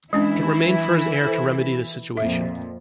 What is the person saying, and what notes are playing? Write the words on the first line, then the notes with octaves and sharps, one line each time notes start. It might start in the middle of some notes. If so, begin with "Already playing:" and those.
It remained for his heir to remedy the situation.
E3 G#3 C#4 D4 E4
A4 C5
F2 A#2 E5